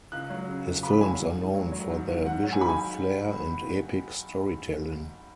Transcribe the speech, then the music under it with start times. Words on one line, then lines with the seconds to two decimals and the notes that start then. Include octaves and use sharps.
His films are known for their visual flair and epic storytelling.
0.12 C#2 F#6
0.30 F#3
0.48 C#3
0.66 C#2
0.83 C#2 B5
0.93 B5
1.01 F#3 G#5
1.19 G#2
1.37 G#2
1.54 F#3
1.72 F#3
1.90 G#2
2.08 G#2
2.26 G#2 F#5
2.44 F#3
2.53 G#5
2.61 D#3 B5
2.69 G#5